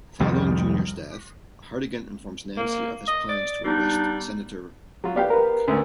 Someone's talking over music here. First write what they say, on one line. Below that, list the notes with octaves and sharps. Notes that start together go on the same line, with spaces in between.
Following Junior's death, Hartigan informs Nancy of his plans to arrest Senator Roark.
C2 F2 D#3 G3
A#3
D#5
D5
G3 B3 D4 D#4
F#3 F4
B3 G4 D5 F5 G5
A#4 B4
D2 A3 C#4